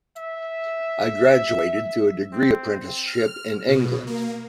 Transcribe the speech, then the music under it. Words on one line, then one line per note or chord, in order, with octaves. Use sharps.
I graduated through a degree apprenticeship in England.
E5
C4
F6
B2
A#3